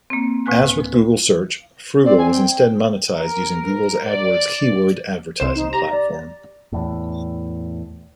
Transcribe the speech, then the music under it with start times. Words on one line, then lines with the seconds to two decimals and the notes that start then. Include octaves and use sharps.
As with Google Search, Froogle was instead monetized using Google's AdWords keyword advertising platform.
0.10 A#3 C4
0.46 D2 A2 B4 G#5 F#6
2.05 C4 D5
2.18 G#5
2.32 G5
3.17 A#4
4.09 D5
5.39 C2 C5 E7
5.55 D#4
5.73 G4 A#5
5.91 D5
6.72 E2 A2